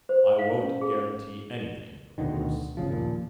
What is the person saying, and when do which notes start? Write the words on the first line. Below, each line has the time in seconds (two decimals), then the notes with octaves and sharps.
"I won't guarantee anything, of course...."
0.09 C5
0.39 F5
0.62 C#4
0.81 G#4
2.18 D2 B2 D3 D#3
2.77 G1 C#2 C#3 F3
2.90 D#2 A#2 F3